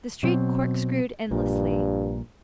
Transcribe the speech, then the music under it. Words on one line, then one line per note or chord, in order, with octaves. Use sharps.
The street corkscrewed endlessly.
B2 F#3 C4
A#1 G2 A#2